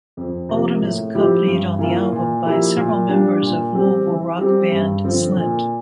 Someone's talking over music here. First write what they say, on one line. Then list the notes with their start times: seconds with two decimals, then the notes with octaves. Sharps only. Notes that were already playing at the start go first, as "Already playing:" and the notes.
Oldham is accompanied on the album by several members of Louisville rock band Slint.
0.17 F2
0.49 C3 F3 A#3
0.82 A2
1.15 F3 C4 E4 G4
1.47 G2
1.79 E3 A#3 F4
2.12 A#2
2.45 F3 A#3 E4 G4
2.77 A#2
3.09 G3 D4 F4
3.42 A#2
3.75 G3 C4 G4
4.07 E3
4.39 G3 C4 G4
4.72 G2
5.04 D3 F3 C4 F4
5.36 A#2